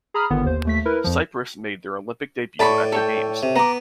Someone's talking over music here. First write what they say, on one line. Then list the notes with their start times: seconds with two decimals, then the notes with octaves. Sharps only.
Cyprus made their Olympic debut at the games.
0.14 G#4 A#5 B5 D#6 F6
0.30 G1 D3 D#3 B3
0.45 D#2 C5
0.65 D#2 A3 B6
0.85 E4 A#4 B4
1.04 F2 F3
2.59 A2 D5 A5 B5 C#6
2.92 A4 C#5 G5
3.43 C3
3.56 B3 A#5 D6